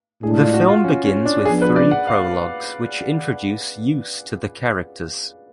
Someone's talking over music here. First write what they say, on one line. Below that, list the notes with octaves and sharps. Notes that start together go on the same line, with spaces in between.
The film begins with three prologues which introduce use to the characters.
A2 G#3 D4 G#4
F4
F#4
F4
C#4
C#4
D4
F3 B3 D4 G#4
B4
D5
F#5
F5